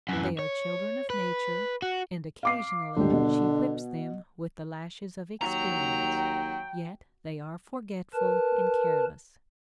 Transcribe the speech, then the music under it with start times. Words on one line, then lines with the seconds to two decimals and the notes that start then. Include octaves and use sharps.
They are children of Nature, and occasionally she whips them with the lashes of experience, yet they are forgetful and careless.
0.09 F#2 E3
0.39 C#5
1.10 B4
1.82 F#4
2.43 F5 D6 C7
2.97 D#1 G#2 D3 G4
3.12 B2
5.41 D#2 F#3 G5 A#5
8.14 A#4 B4 A5